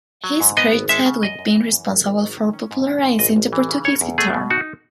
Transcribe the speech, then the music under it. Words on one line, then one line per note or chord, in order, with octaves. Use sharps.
He is credited with being responsible for popularising the Portuguese Guitar.
F#3
G#2
B3 D#5
G#1
G#3 E5
C#3
F#2 D#5
F#2
E3
F#2
G#1
G#1
F#3
D#3
C#4
G#2
D#3
G#2
A1 D#5
A1
E3
C#3
A3 C#5
E2
A3 G#4
B2
D#4 F#4